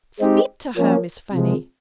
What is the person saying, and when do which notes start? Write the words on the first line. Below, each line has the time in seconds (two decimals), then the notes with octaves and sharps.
Speak to her, Miss Fanny!'
0.19 G#3 C4 D#4 G4
0.77 F3 A#3 C#4
1.33 C3 F3 G#3